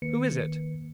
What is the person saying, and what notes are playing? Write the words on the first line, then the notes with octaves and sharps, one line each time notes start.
"Who is it?"
D#3 A#3 B4 C#7